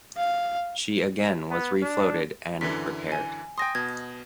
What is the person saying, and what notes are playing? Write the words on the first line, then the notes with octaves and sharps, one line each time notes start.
She again was refloated and repaired.
F5
B3
D4
F#2 D3 E3 B6
G#5
G5 G#5 C6 D#6 A#6
B2 G#6